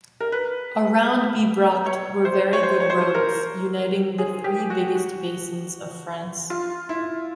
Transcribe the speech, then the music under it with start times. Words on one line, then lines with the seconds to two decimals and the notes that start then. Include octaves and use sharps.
Around Bibracte were very good roads, uniting the three biggest basins of France.
0.20 A#4
0.32 B4
1.86 C#5
2.25 C5
2.53 C#5
2.63 C5
2.80 C#5
2.90 C5
3.15 A#4
4.19 G#4
4.44 G4
4.70 F#4
4.95 F#4
6.50 F4
6.89 E4